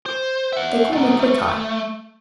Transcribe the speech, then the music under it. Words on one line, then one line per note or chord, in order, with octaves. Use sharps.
They call me Quickeye.'
C5
E5 F#5
B3 D#4
A3